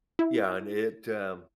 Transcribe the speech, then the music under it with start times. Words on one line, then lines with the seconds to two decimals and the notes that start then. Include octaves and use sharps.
Yeah, and it, um,
0.19 E4